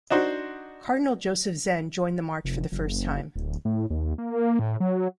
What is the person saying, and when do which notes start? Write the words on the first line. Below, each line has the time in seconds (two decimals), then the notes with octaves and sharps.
Cardinal Joseph Zen joined the march for the first time.
0.10 D4 D#4 F#4 C5
2.45 F1
2.72 F#1
3.35 D1
3.65 A2
3.90 D#2
4.18 A#3
4.59 A2
4.80 F#3